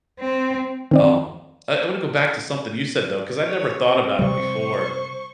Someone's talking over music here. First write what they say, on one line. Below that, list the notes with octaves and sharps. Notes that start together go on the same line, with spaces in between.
um, I I wanna go back to something you said though, 'cause I'd never thought about it before,
C4
D#3 C4 D5
C#5
C4
C3 G3 C5 C#6